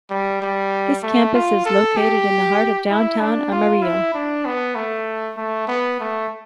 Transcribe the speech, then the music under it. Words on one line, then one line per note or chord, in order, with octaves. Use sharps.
This campus is located in the heart of downtown Amarillo.
G3
G3
A3
F4
A4
G4
E4
D4
F4
E4
D4
B3
A3
A3
B3
A3